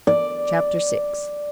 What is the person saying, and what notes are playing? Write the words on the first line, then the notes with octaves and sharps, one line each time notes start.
Chapter VI.
D5